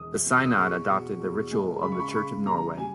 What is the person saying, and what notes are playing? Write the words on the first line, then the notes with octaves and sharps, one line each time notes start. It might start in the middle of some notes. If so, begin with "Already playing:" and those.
The Synod adopted the ritual of the Church of Norway.
Already playing: E1 D#6
B2
E6
D#6
E2 C#6
B2
E2
G#3
C#3 B5
C#6
B5
C#6
C#3 B5
G3 A#5
G3 G#5